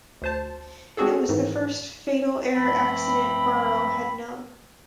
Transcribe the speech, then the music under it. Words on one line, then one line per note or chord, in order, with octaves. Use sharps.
It was the first fatal air accident Barrow had known.
D2 C5 A5
G#3 C4 D4 F#4 G#4 A4
G#2 D#3 E3
G2 F3 A3 C4 B5